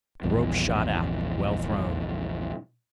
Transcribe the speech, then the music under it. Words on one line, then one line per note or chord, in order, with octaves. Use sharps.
The rope shot out, well thrown.
A#1 E2 G2